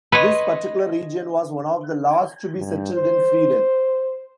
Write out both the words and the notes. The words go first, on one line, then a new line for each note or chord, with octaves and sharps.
This particular region was one of the last to be settled in Sweden.
B4 C#5 D#5 C6
G2
C5